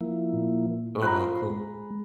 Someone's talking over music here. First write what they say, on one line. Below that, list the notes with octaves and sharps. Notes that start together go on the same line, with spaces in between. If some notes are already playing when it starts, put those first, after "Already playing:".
Oh, how cool.
F3 A#3 E4
A#2
F4 C5 A#5 B5 F#6
G#3